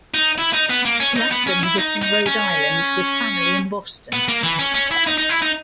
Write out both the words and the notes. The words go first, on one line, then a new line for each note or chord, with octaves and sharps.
Rathbun was from Rhode Island with family in Boston.
D#4
E4
D#4
B3
A#3
C#4
D#4
B3
C#4
E4
D#4
D#4
C#4
B3
A#3
E3
C#4
C#4
E4
D#4
D#4
E4
D#4